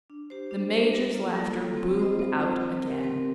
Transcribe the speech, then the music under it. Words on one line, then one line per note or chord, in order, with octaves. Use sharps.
The Major's laughter boomed out again.
D4
G4 C5
D4
G4 C5
G3
A#3 F4 A4
G3
A#3 F4 A4
C4
F4 C5 D#5
C4
F4 C5 D#5
C4
G4 A#4
C4